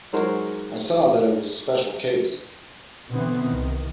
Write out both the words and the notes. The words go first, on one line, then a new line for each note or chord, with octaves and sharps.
I saw that it was a special case.
F#3 G#3 D#4 F#4 A#4 C5
B2 D3 E3 B3 C4
C2 D#3